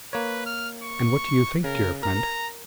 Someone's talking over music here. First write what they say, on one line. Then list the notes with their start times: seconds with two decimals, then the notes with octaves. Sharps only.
And what do you think, dear friend?
0.13 A#3 B4 C#5
0.46 F6
0.83 C#6
1.64 C#3 A#4
2.03 A#4 A#5